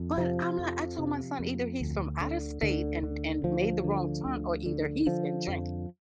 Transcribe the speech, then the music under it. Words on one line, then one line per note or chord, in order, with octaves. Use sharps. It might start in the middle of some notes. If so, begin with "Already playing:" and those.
but, I'm like I told my son either he's from out of state and and made the wrong turn or either he's been drinking.
Already playing: F2
C3 F3
F2
C3
F2
D2
D3
D2 D3
D3
D2 F3
D3
D2
D3
D3 F3
F2